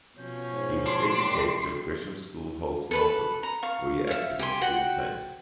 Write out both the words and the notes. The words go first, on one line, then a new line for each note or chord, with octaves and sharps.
He was educated at Gresham's School, Holt, Norfolk, where he acted in school plays.
B2 F3 C#4 G6
G#2 C#5
D4 C6
F#2 G4
A4 B4 B5
A#5
F5 C#6
E5 F5
G4 G#5 C6
F#4 F#5 G5